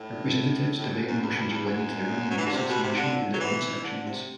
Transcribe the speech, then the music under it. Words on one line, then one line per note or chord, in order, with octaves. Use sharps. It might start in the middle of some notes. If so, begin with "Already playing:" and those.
Representatives debate motions relating to the running of the association and their own sections.
Already playing: A2
A2
F#2
F#2
E2
E2
E2
F#2
F#3
E3
D3
C3
B2
C3
D3
F#3
E3
D3
C3